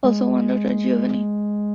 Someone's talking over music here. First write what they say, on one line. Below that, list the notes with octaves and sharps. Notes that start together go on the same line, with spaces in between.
Also one daughter, Giovani.
G#3